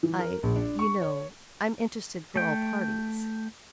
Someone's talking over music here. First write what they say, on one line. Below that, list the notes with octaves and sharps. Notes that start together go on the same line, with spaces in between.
I--you know--I'm interested for all parties.'
E3
A#4
A#1
D4
C#6
C#5
A3 G5